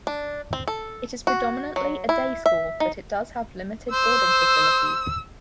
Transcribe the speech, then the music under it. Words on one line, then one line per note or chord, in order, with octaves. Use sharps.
It is predominantly a day-school, but it does have limited boarding facilities.
D4
C4
A4
F#4
F#3
E4
E5
D#4
C5 E6